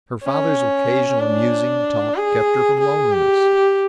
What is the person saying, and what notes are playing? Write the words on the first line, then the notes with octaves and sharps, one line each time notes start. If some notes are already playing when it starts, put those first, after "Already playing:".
Her father's occasional musing talk kept her from loneliness.
C#4
D4
G#4
G#4
G4